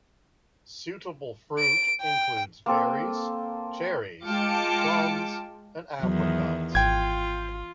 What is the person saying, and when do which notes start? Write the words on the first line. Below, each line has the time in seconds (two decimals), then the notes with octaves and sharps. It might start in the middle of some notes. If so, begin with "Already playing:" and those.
Suitable fruit includes berries, cherries, plums and apricots.
1.59 D7
2.02 G5
2.66 A#3 C4 A4
4.26 G#3 F4 G5 A5 D6 C#7
6.03 E2 D#3 F#3
6.75 G#1 F4 G5 G#6